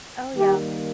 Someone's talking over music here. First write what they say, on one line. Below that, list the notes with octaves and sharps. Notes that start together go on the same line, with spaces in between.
Oh, yeah.
D#3 G3 A#3 G4